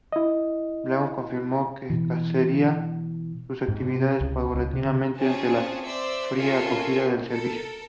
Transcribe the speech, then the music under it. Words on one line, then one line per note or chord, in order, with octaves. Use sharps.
Australian timber is used throughout the building.
E4 D#5
B2 E3
G#2
C3
C#2
C#2
C3
C#3
C4 C#4 F4 G#4 A5
C5 D5 E5 E6
C#4 F4 A4 A#4 E5 C7
A4 A#4